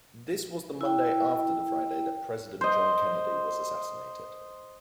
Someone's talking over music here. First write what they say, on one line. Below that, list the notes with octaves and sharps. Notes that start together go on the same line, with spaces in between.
This was the Monday after the Friday that President John Kennedy was assassinated.
E4 G5
C5 D#5